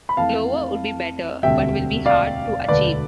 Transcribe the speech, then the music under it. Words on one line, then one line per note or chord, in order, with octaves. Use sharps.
Lower would be better but will be hard to achieve.
B5
F2 E3 A3 F5 A5
E1 D2 C3 G3 E5 G5
D5 F5
E1 D2 D3 B4 D5